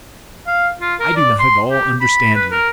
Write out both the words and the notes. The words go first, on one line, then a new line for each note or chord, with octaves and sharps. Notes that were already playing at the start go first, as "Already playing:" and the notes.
"I do not at all understand you!"
F5
F4
A#4
D5
C6
G4
B5
B4
A#4